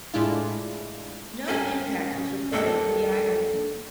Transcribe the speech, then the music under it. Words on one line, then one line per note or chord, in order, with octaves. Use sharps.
No impact was reported in the islands.
A2 G#3 D4 E4 F4
G2 C#4 A#4 G#5
C#3
D#2 A#3 D4 A4